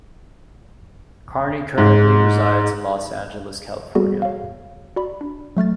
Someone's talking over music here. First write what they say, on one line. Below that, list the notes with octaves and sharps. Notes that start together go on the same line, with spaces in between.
Carney currently resides in Los Angeles, California.
G#2
G3 B3 F#4 G#4 A4
C#5 F5
F#4 D5 B5
D4
F#3 A3 F6 A6